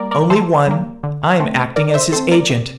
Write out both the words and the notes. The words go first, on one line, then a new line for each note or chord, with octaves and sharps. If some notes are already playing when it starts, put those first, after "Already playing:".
"Only one: I'm acting as his agent."
Already playing: G3 A#3 A#4 D5
A#4 D5
E3 A4 C5
G3 A#3
D3
A3 C4
D3 A#4 D5
C5 E5
A3 C4 A4 C5
A#4 D5
C3